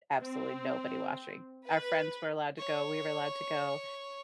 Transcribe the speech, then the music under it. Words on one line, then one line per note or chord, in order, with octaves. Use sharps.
absolutely nobody watching. Our friends were allowed to go, we were allowed to go.
C4
B4
C#5 C#6